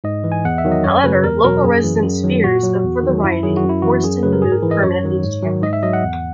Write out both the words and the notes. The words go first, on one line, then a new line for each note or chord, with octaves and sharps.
However, local residents' fears of further rioting, forced him to move permanently to Tamworth.
G#2 D#5
E3
G#5
E2 F#5
E5
D#3 F#3
D#5
F#2 C#5
C#3 F#3 B4
E2 A#4
B2 F#3 A#4
F#2 G#4
E3
F#2
D#3 F#3
A#2 F#4
F#3
E2
D#3 F#3
F#2 E4
D#3 F#3 G#4
F#4
F#2
E4
E3 F#4
F#2 G#4
C#3 F#3 B4
A#4
G#2 G#4
A#4
E3
D#5
F#2 C#5
D#3 F#3
G#2
D#3 F#3
G#2 D#5
E5
F#3 D#5
F#5
E2